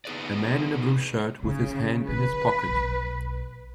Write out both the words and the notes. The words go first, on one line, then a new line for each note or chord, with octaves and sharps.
A man in a blue shirt with his hand in his pocket.
B3 D#4 G#4 B4 D5
C#3 D#4
D3 E3 B4
B1 B2